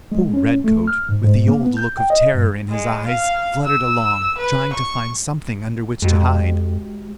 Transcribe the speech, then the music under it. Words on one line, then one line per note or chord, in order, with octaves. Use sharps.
Poor Redcoat, with the old look of terror in his eyes, fluttered along, trying to find something under which to hide.
G#3
C#4
A3
F6
G#2
G#2
A#3
B3
G6
G5
D#5
G2
G#3
F5
E6
B4
C#6
F2 G#3 F#4 G4